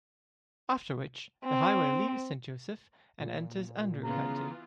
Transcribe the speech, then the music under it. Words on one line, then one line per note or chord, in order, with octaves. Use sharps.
After which, the highway leaves Saint Joseph and enters Andrew County.
C4
A#2
C#3 E3 B3 F4 A#5